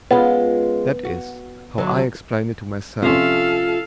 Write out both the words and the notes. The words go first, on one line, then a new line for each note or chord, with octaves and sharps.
That is how I explain it to myself.
G#3 B3 C#4 F4
F#4
D3 F#3
C3 F3 C#4 F4 A4 E5 F5